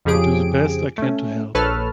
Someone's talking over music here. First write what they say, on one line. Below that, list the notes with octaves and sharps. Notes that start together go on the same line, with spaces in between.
I do the best I can to help.
F2 C#3 F3 G4 G#4 D7
A3 C#4
A#1 A4 B4 C#5 A5 F6